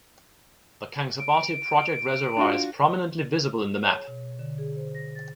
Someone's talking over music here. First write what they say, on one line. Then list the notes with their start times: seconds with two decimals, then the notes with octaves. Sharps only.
The Kangsabati project reservoir is prominently visible in the map.
1.20 D7
2.37 D4 F4 F#4
3.55 G#4
3.82 C#5
4.07 B2
4.39 D3
4.58 G#4
4.76 C5
4.95 A#6
5.15 A6